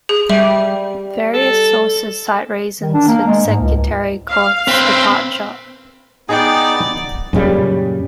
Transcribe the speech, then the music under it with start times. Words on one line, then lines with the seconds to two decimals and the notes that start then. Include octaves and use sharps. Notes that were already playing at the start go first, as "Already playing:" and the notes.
Various sources cite reasons for Secretary Korth's departure.
0.09 G#4
0.30 G3 E5
1.34 A4
2.81 D#3
2.94 D4
3.08 A#3
3.27 G#3
3.47 G#2
3.60 C#2
4.30 F5
4.68 C4 B4 C5
6.29 B3 D#4 G#4 D5 D#5 G5
7.33 F#2 A#2 C#3 G3